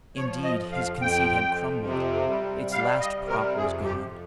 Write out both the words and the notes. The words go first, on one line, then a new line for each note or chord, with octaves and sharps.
Indeed, his conceit had crumbled; its last prop was gone.
F3 C#5
D#5
F2
F5
F2 G5
F2
C3
G3
G3 F5
D#5
C3
A#4
F2 G#4
G4
F2